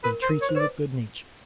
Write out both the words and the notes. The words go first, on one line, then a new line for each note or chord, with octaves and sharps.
They treat you with good-nature.
A#4 B4
C5
A#4
C#5
C5
B4 C#5
D5